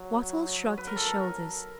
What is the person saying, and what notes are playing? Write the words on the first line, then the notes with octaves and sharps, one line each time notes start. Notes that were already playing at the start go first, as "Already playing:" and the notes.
Wattles shrugged his shoulders.
Already playing: F#3
F#3 B4
A#4
A4
A#4
F#3